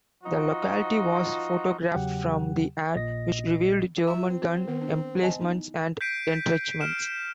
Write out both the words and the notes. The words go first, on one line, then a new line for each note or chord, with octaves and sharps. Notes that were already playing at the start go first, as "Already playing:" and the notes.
The locality was photographed from the air, which revealed German gun emplacements and entrenchments.
F3 D#4 F4 F#4
E2 C#3 F#3 G4 F#5 G5
A#1 A#2 D#5 A#6
F4 E5 A#5
C4
D#3 B3 B4
D4
D#5 G#5 A5
B3 D#4 E4
G6 B6 C7 D7 D#7
F6 D7 E7